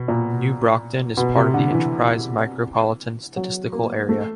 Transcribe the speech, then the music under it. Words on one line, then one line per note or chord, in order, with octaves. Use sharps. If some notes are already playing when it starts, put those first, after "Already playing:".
New Brockton is part of the Enterprise Micropolitan Statistical Area.
Already playing: B2
A#2
B2
C3
D3
E3
F#3
A#3
A3